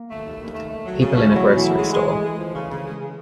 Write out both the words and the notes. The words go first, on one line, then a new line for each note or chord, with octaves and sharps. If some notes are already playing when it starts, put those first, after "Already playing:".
People in a grocery store.
Already playing: A#3
A3
D#2
D#2
A3
A3
F#3
C#3
A3 C#4
E4
F#3
B2
E3 E4
G#3
G#3
G#3
G#3
F3
C#3
C#3
G#3
C#3